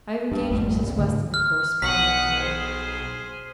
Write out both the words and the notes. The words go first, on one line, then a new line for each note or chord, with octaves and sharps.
I have engaged Mrs. Weston to correspond with me.
G2
G#1 F2 G3 A3
C2 G2
C#2 G#2 D3 A3
F6
B1 F#5 D#6 B6
G#4 C5